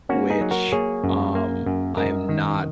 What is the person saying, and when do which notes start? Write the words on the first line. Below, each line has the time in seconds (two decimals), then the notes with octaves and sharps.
which, um, I am not,
0.09 A#3 C#4 F#4
0.30 D#4 G#4
0.41 F#3
0.51 F#4 A#4
0.72 A#3 G#4 C#5
1.04 F#2
1.35 A#3
1.66 F#2
1.97 F#2 A#4 D#5
2.29 D#3